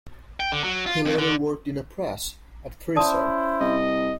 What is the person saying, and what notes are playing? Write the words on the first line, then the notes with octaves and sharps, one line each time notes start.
He later worked in a press at Thrissur.
G5
D3
F#3
F4
F2
D3
C#4 E4 C5 D5 A5 D#6
C2 D#5